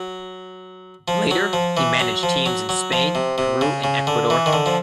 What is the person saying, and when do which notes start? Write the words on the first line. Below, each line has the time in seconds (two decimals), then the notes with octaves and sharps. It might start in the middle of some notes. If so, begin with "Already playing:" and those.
Later, he managed teams in Spain, Peru and Ecuador.
Already playing: F#3
1.08 F3
1.31 F#3
1.53 F3
1.77 E3
2.00 F#3
2.23 F3
2.46 F#3
2.69 F#3
2.92 F3
3.15 C3
3.38 C3
3.61 C#3
3.84 C#3
4.07 D3
4.30 E3
4.46 D#3
4.53 D3
4.66 F3